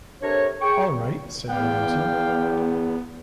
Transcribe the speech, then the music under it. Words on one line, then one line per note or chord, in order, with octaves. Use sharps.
"All right," said Williamson.
C3 D4 A4 A#4 C#5
G#4 G5 C#6
E2 B3 D5 F5 G5